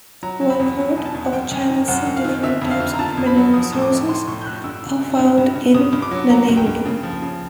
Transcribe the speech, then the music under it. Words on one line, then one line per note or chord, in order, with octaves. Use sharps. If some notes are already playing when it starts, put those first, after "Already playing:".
One third of China's different types of mineral resources are found in Nanning.
F#3 A#5
F#3
B5
E2
F#3
B2 G#5
A5
E2
F#5
F#2 G5
F#2 G#5
G5
D#3
F#2 F#5
F#2
F5
D#3
D3 E5
F2
F5
D3
A#5
D3 A5
F2
B5
F#3
F3 D#6
A2
D6
F3
A2 C6
A2 C#6
G6
A2 F#6
G2 E6
D3
G2
G2
G2
G2
G2 D#6
G2
D6
F#3
F#3 A#5
G2
G5
G2
C#3
F3
C#3